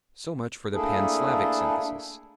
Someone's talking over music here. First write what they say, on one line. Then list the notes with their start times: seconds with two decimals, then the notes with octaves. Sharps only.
So much for the Pan-Slavic synthesis.
0.74 A3 A#3 D4 E4 G#4 A4